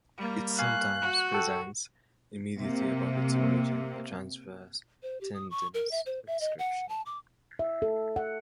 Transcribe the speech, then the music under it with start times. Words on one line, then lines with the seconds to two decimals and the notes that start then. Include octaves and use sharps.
It sometimes presents, immediately above its origin, a transverse tendinous inscription.
0.17 G3 A#3
0.59 F5 G#5 C#6 F#6
1.01 F#4
1.32 A4 G5 C#6
2.59 C3 A#3
5.03 C5
5.21 G4
5.34 D#6
5.51 C#6
5.74 A#4
5.91 E5
6.06 C5
6.27 E5
6.41 D#5
6.59 F#5
6.89 A5
7.06 D6
7.59 E5
7.82 A4
8.16 F#5